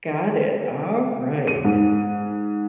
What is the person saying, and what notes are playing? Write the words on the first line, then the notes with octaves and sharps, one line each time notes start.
got it, all right.
D#7
G#2